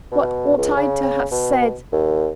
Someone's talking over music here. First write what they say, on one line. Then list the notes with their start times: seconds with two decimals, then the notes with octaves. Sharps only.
What ought I to have said?
0.12 B2
0.58 C#2
0.76 C#3
1.31 B2
1.92 D#2